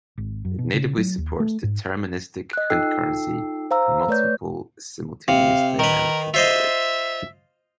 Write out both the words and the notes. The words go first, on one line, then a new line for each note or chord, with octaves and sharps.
It natively supports deterministic concurrency and multiple, simultaneous, dynamic control rates.
G#1
F#2
B2
C#3
F#3
D#2
A3
G#2
D#5 F#6
D#4 F4 A4 G5 E6 C7
C5 F5 A#5 E6
A3 B4 C#5 D5 G6
C3 F5
D#3 A#4 B4
F4 C5 D#5 E5